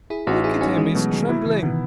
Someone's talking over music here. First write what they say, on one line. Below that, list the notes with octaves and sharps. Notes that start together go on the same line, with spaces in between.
Look at him, he's trembling!
E4 G#4
A1 D#4 F#4
E4 G#4
C#4 D#4 F#4
E3 G#3
B2 F#3 A3
D#3 F#3
D#3 F#3 E4
C#3 E3
B2 D#3 B3